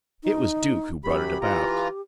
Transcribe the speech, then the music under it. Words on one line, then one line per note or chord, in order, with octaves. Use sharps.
It was Duke who brought it about.
D#4
F#2 G4 B5
E3 F4 A#5